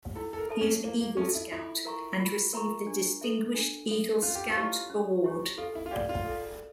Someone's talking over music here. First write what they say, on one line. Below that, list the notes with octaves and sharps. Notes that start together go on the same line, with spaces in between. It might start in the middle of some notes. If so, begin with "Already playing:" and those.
He is an Eagle Scout, and received the Distinguished Eagle Scout Award.
E4 A4
A4
A#4
A4 E5 A5
C#4
A#3 E4
A#3
C#4 A4 E5 A5
E4
E4 F4
A#4 E5 A#5 C#6
F4
A#4 E5 A#5 C#6
D4
A4 E5
D4
A4 E5
C#4 F4
G4
F4
E4 G4 C#5
C#4
E4 G4 C#5
F4 A4
E4
F4
G4 D5 F5
F4
A4